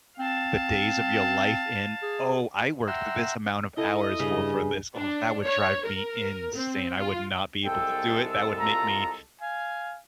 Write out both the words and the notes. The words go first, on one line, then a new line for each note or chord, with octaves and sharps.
the days of your life in "Oh, I worked this amount of hours for for this." Oh, that would drive me insane, I would not be able to do it, that would make me
C4 F5 A5
G#4
E5 F#5 G5 A#5 C6 E6
E4 A4 D#5
G2 C#3
D4
C#5
A#4
C4
F4
C2 G#3 A4 G5
F4 A#5
F5 G#5